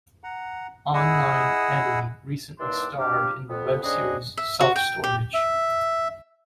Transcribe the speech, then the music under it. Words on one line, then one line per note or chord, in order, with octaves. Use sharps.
Online Eddie recently starred in the web-series Self-Storage.
F#5 A#5
E4 G#4 D#5 F#5 D#6 E6
D#2 E3 G3 D4 C6 E6
C3 D4 G4 F5 D6
F2 B3
C#3 C4 D4 F#4 G#4 D#5
E5
F#4
G5
G4
E5